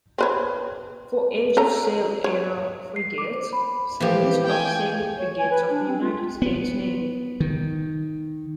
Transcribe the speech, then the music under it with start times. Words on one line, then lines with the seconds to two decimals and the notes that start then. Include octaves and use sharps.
For age-of-sail era frigates, see List of sailing frigates of the United States Navy.
0.18 C4 B4 C#5
1.57 A4 A#5
2.24 C#5
2.96 C7
3.18 D6
3.34 C5
3.53 B5
4.00 E3 F3 G4
4.46 G5 G#5
5.18 C#5
5.39 G#5
5.52 B4
5.70 D4
5.88 C4
6.02 F4
6.42 B3
7.40 D#3